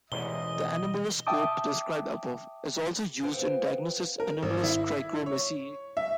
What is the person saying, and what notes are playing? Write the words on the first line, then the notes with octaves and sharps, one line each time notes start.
The anomaloscope, described above, is also used in diagnosing anomalous trichromacy.
A1 E2 G#2 B2 E3 D#5 G7
E5 G5 A5 D6 D#6
B3 C4 F4
A#4
G#1
E4
C#5
E5